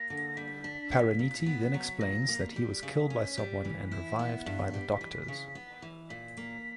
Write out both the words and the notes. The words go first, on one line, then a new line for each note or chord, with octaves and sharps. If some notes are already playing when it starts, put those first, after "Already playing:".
Parineeti then explains that he was killed by someone and revived by the doctors.
Already playing: A#3 A#6
D3
G3 B6
D4
A#3
A#2
B3
F#3
A#2 A#6
A#3
B6
G3
C#3
C#4
G3
E3
E4
B3
G2 B6
G3
E3
C#3
B3
E3
A#2 B6
A#3